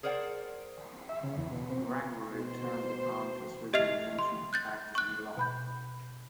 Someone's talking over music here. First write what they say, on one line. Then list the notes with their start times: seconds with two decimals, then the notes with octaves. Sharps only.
Gregory returned to Pontus with the intention of practising law.
0.03 G#4 A#4 C5 D5 F#5 G5
1.09 E5
1.23 C#3
1.38 E2
1.51 B2
1.70 C4
1.89 B3
2.34 B2 C5
3.73 G4 D#5 E5 F6 C7 F7
4.19 C6
4.53 F#6 G6 A6
4.95 C#6 F#6
5.37 B2 B5 G6